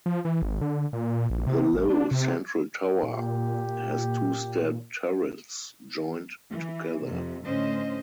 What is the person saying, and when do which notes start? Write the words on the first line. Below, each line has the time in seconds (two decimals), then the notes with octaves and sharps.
The low central tower has two stair turrets joined together.
0.06 F3
0.25 E3
0.42 G#1
0.61 D3
0.93 A#2
1.30 A#1
1.47 C3
1.73 A1
1.90 D4
2.11 C3
3.03 A#2 G4
6.51 E3
7.06 F2 C3
7.46 A2 D3 C#4 C5 D#5